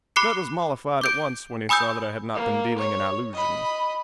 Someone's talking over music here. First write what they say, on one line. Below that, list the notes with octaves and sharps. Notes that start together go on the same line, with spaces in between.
Jud was mollified at once when he saw that I had not been dealing in allusions.
B5 D6 F#6 C7 C#7
D6 G6 D7
G#5 B5 D#6 E6 G6
A#3
C#5
D#5 B5